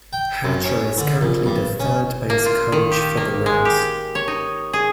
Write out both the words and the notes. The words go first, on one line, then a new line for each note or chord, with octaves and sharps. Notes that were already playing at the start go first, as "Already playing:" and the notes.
Hatcher is currently the third base coach for the Reds.
G5
F#2
C#4
D3
A#1
G2
C#4
A#3
F4
D#3
G4
A#3
G#3
G4
C#5
D#4
G#4